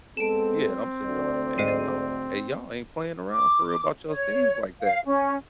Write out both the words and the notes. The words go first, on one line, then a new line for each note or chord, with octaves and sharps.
Yeah, and I'm sitting there like, "Man, y'all hey, y'all ain't playing around for real about yall's teams like that."
G#3 B3 C4 A4 D7 E7
D2 D5
G#2 C7 D#7
D6
C#5
F5
C#4